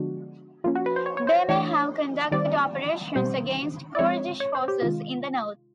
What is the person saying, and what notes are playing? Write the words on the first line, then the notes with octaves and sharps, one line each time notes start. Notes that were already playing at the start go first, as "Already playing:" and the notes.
They may have conducted operations against Kurdish forces in the north.
Already playing: D3 F3 G#3 B3 D4 F#4
F3 A#3 C#4 F4
F#4
B4
C5
C#5
C#5
C5
E3 A3 D4 C#5
D#3 G3 C4 D5
B2 G3 C4 C5
D5
F3 G#3 C4 C#5
C#5
C5
G4
C3 D#3 G#3 F4